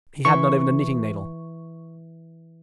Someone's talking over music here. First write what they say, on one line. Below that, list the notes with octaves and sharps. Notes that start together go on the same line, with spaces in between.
"He had not even a knitting-needle."
E3 C#6